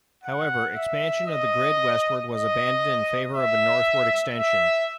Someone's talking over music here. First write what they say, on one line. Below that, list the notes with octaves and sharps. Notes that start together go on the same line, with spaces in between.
However, expansion of the grid westward was abandoned in favour of a northward extension.
F#5
E5
D#5
D#5
E5
E5